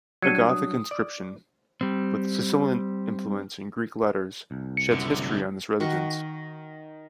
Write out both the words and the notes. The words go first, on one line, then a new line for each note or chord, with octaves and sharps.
A Gothic inscription, with Sicilian influence and Greek letters, sheds history on this residence.
F#3 G3 D4 G#6 C#7 D#7
D#6
D5
G3 C4
C2
C#7
F#2 D3
D#3 F#4 C#6